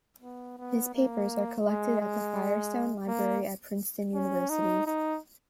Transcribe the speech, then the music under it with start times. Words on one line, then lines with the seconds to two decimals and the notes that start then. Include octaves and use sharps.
His papers are collected at the Firestone Library at Princeton University.
0.23 B3
0.58 B3
0.94 A#3
1.66 G#3
2.01 G#3
3.07 A#3
4.14 C#4
4.50 D#4
4.86 D#4